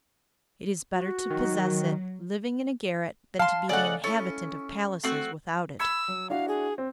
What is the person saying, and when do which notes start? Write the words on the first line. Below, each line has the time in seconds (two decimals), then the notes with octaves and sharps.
It is better to possess it, living in a garret, than to be the inhabitant of palaces without it.
0.94 F#4
1.30 D#3 F#3
3.39 F5 A5 C6
3.69 C#3 A3 D#4 D5 F#5
4.04 C#4 E4 A4
5.04 A3 C4 F#4
5.80 B5 E6 G#6 C#7
6.08 F#3
6.30 D4 E4 F#4 F5
6.48 G#4
6.78 C4